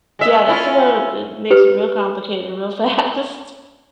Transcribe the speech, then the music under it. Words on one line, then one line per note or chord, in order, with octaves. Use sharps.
Yeah, that's about it makes it real complicated, real fast.
G#3 E5
C#4 E4 F4
G4 B4